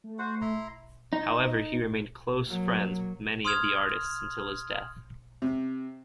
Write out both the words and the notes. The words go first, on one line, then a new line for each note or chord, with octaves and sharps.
However, he remained close friends with many of the artists until his death.
A3
F#4 C5 F#5
E4 A#5 C6
D#4
F#3 A#3
C6 D#6 F6 G#6 F7
C3